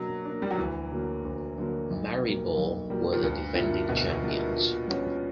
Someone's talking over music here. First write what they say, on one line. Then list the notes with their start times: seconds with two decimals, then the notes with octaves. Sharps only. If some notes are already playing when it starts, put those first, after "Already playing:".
Maribor were the defending champions.
Already playing: B2 F#3 A#3 D4
0.25 A#3 D4
0.42 G3
0.51 F#3
0.58 D2 E3
0.91 D3 F#3 A#3
1.24 D2
1.58 D3 F#3 A#3
1.90 B1
2.23 B2 G3 A#3
2.57 B1
2.90 B2 G3 A#3
3.13 A#2
3.22 D2 G2
3.55 A#2 D3 G3 A#3 E4
3.89 D2 B2
4.22 D3 G3 A#3 E4
4.55 A#2
4.88 G3 C#4 F#4 B4